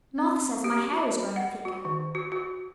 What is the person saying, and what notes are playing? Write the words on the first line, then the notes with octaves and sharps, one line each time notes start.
Martha says my hair is growing thicker.
C4
G4
F#4
F#5
F#4
D#3
F#4
F#4